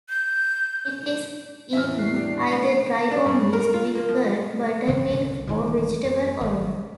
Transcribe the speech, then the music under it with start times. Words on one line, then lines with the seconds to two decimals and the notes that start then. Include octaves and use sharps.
It is eaten either dry or mixed with curd, buttermilk or vegetable oil.
0.09 G6
1.73 A1 E2 G#3 C#4 E5 F6
1.98 C#6 E6 F#6 C7
2.14 D4 G4 D5
2.36 D#1
3.11 D4
3.26 G2
3.53 A#4
3.74 F4
3.95 A#3
4.09 F3
4.88 G2 C#3 E3 B3
5.10 C2 D3
5.47 D#1 D#3 E3 G3
6.05 F#2
6.41 G#1